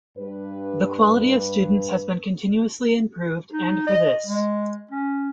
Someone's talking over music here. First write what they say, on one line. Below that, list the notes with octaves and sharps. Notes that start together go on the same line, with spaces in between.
The quality of students has been continuously improved and for this.
G2 B4
D#4
D#5
G#3
C#4